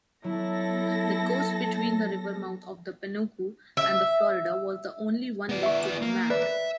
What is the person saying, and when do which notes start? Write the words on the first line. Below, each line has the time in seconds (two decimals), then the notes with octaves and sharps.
The coast between the river mouth of the Pánuco and the Florida was the only one left to be mapped.
0.24 F#3 B3 E4 A4 A#6
3.77 E5
5.49 B3 D5
5.63 E5 C#6
6.02 A#3
6.30 B4 D5 E5